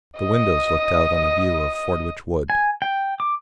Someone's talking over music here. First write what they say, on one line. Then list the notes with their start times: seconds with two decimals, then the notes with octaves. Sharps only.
The windows looked out on a view of Fordwitch Wood.
0.18 D#5 D#6
2.50 G#5
2.82 G5
3.20 D6